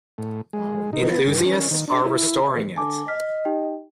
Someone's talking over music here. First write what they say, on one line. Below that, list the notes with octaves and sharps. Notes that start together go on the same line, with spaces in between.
Enthuiasts are restoring it.
A2
G#3
D#4
B3
G2
C#4
D#3
D4
E4
D3 G#5 A5 D6
D#5 F6 B6
D#4 G4 G5